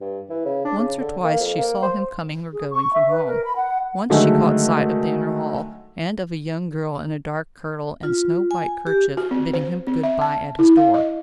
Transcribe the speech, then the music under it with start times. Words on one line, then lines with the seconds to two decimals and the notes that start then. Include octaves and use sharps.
Once or twice she saw him coming or going from home. Once she caught sight of the inner hall, and of a young girl in a dark kirtle and snow-white kerchief bidding him good-bye at his door.
0.01 G2
0.29 E3
0.45 C#3
0.64 D4
0.78 C#3
1.00 D3
1.23 A#3
1.40 F2
1.58 A#3
1.82 C5
2.53 G#4
2.70 C#6
2.93 E5
3.09 B4
3.26 A#4
3.43 B5
3.55 F#5
4.10 D3 D#3 F#3 G#3 A3
8.03 F4
8.51 G#5
8.87 G4
9.17 F#4
9.31 C4
9.53 C5
9.87 C4
10.03 E5
10.21 A5
10.59 E4
10.77 F5
10.94 D#5